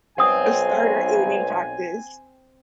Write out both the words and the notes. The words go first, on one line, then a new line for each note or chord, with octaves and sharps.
a starter aiming practice.
B1 C4 F#5 G#5 D#6